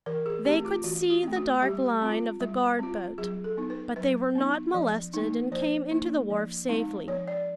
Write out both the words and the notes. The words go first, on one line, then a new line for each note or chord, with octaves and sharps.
They could see the dark line of the guard-boat, but they were not molested and came into the wharf safely.
E3 A#4
G#4
A3 C4 G4
F4
E3 F#4
F#4
A3 C4
F#4
G3 G4
C4 F4
G3
C4 F4
F#3 G#4
A4
B3 D#4
B4
F#3 B4
B3 D#4
F3
A#3 D#4
F3 C5
A#3 D#4
F3
G#3 C4 D#4
F3 C#5
D5